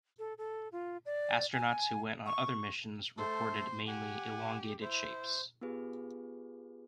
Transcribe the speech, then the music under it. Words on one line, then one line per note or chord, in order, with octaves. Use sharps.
Astronauts who went on other missions reported mainly "elongated shapes".
A4
A4
F4
D5
G#5
C#6
A3 A4 C5
G4 F#5 G#5
E4 C5
B3 F4 G4 G#4 B4